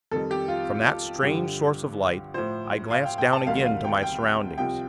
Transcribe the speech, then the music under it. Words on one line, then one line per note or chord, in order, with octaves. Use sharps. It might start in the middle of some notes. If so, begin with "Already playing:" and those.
From that strange source of light, I glanced down again to my surroundings.
F2 D#3 G3 A4
G4
F4
G2 D3 F3 G4
A2 F3 C5
F5
G5
G5
A5
D2 C3 D#3 G3 F5
F5
G5
G5
C2 C3 F3 G5